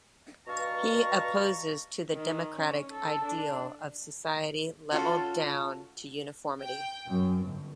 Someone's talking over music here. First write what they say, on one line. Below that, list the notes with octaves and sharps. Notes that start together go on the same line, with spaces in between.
He opposes to the democratic ideal of society levelled down to uniformity.
G2 B2 F5 A5 A#5 C#6
D#3
C#4
A4
D4
C#4 F4 F#4 A4
G5
F#2
G1